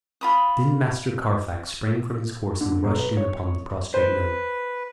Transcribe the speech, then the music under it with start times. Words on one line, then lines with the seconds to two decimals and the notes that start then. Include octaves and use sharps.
Then Master Carfax sprang from his horse and rushed in upon the prostrate miller.
0.21 F4 B5 D#6
2.61 D3
2.84 B1
2.99 B4
3.17 C#5
3.94 B4 C5